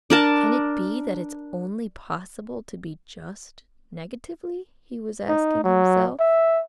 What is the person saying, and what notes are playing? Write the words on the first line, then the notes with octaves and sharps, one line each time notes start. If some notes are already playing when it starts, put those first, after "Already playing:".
"Can it be that it's only possible to be just negatively?" he was asking himself.
D4 A#4 A5
D#4
F#3
E5